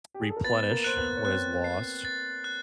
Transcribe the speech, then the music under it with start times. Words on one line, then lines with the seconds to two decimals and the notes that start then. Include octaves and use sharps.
replenish what is lost,
0.14 G4
0.21 G#4
0.30 A4
0.37 A#4
0.44 B3 B4 A6
0.71 A#3 A#4
0.84 C5 F#6
0.97 B3 B4
1.17 C#5
1.24 C4 C5 F#6
1.64 C7
2.05 A6
2.44 F#6